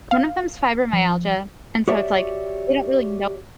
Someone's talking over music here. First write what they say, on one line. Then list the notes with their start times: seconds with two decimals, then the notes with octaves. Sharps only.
one of them's fibromyalgia, and so it's like, they don't really know
0.11 F5
0.93 F3
1.88 F#4 G4 C#5 D5 E5